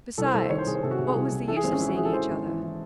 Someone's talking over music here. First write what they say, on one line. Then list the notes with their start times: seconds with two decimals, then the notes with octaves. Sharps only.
Besides, what was the use of seeing each other?
0.18 C2 A4
0.26 C5
0.34 C2 A4
0.42 C5
0.50 D#3 C#5
0.58 C5
0.66 C2 G#4
0.75 C5
0.83 C3 A4
0.91 F#4
0.99 C3
1.07 G#4
1.15 C2
1.32 C2
1.48 E3 A4
1.56 G#4
1.64 G#1 C4
1.73 C#4
1.80 E3 E4
1.89 F#4
1.97 E3 G#4
2.05 A4
2.13 E3 C5
2.29 G#1
2.46 E3
2.62 E3